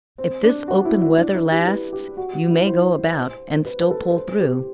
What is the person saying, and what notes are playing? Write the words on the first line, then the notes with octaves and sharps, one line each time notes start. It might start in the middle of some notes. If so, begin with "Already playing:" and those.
If this open weather lasts you may go about and still pull through.
C4
D4
F#4
E4
E4
D4
E4
G4
B4
G4
F#4
F#4
E4
C5
B4
B4
A4
B4
C5
G4